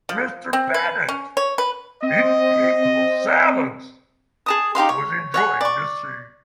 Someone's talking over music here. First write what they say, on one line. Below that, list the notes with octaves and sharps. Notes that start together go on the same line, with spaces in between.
Mr. Bennet, in equal silence, was enjoying the scene.
F3
C4
B4
C#4
C#5
B4
C4 D#5
G#4 A5 D#6
D#4 G4 F5 C6
C#5
C#5 F#5 G#5
D5 C#6